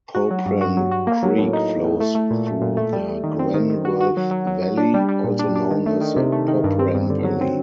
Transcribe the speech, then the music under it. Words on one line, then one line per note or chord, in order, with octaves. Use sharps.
Popran Creek flows through the Glenworth Valley, also known as the Popran Valley.
F#4
F#3
G2
F#4
F#3
F#4
A#3
F#3
A2
D#4
A2
A2
A3
A3
A#2
A3
A#2
A3
G3
G3
D#3
C4
D#3
D#3
F#4
F#4
F#3
F#3
F#3
F#3
D4
G3
G3
A#2
D4
D4
D#3
A3
D#3
C3
A3
D#3
G2
C4
G2
D3
F#3
C4